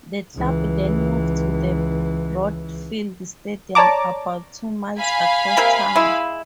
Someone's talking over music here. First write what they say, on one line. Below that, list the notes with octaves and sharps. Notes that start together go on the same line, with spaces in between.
The club then moved to the Broadfield Stadium, about two miles across town.
C#2 E3
C#5 D5 A5 A#5 D6
F5 G#5 B5
C3 A#3 A#4
G#3 E4